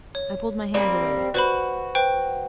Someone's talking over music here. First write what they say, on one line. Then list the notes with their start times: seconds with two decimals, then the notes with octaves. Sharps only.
I pulled my hand away.
0.15 C#5
0.74 G3 A#3 C4
1.34 F#4 B4 C5 B5
1.95 B4 C5 G5